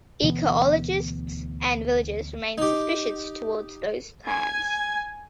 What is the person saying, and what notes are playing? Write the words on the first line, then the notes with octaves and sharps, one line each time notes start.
Ecologists and villagers remained suspicious toward those plans.
D2 B2 E3 B3
D#4 G4
G#5 G#6